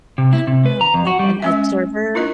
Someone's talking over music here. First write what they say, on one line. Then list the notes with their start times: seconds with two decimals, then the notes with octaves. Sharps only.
I don't know, like an observer?
0.18 C3
0.33 E4
0.47 C3
0.66 B4
0.81 A#5
0.94 F2
1.07 F#4
1.19 G3
1.42 G#3 C#4 E5
2.15 D4 E4 F4 A#4 D#5